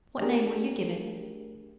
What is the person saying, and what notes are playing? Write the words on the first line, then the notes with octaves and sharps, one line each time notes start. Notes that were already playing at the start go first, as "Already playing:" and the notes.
What name will you give it?'
A3 D4 G4 G#4 A#4